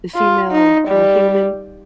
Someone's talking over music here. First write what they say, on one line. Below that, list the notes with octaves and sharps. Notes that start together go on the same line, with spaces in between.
the female, uh, human.
F4
D#4
G3